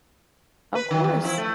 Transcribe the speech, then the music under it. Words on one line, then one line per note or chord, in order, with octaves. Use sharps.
Of course.
B4
D#3 F#3
E2
F3 E4
A3